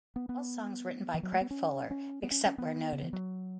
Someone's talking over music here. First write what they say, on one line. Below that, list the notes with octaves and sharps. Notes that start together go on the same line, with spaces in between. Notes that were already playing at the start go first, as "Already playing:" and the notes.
All songs written by Craig Fuller, except where noted.
B3
B3
E3
F#3
A3
B3
C#4
C#4
B3
C#4
C#4
B3
C#3
E3
F#3